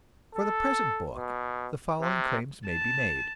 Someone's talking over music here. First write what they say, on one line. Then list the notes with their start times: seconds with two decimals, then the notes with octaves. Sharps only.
For the present book the following claims may be made.
0.35 A4
1.15 B2
2.01 C3
2.67 A5